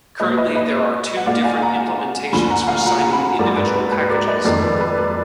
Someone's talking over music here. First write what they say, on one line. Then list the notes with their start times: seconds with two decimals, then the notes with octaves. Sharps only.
Currently there are two different implementations for signing individual packages.
0.20 A#2 G#3 B4 D#5
0.37 B4 D#5
0.55 B4 D#5
1.17 F#5
1.26 A#2 G#3 D5 F5
1.44 F5 G#5
1.62 F#5 A#5
2.33 D2 D3 F3 G#5 B5
2.50 F#5 A#5
2.68 F5 G#5
2.86 F#5 A#5
3.02 A#5
3.12 G#5 B5
3.39 G#2 F#3 A#4 D5
3.57 B4
3.75 B4
3.92 B4
4.10 A#4 D5
4.28 B4 D#5
4.45 F2 D#3 G#3 A#4 D5
4.63 B4
4.72 D5
4.80 B4
4.98 A#4 D5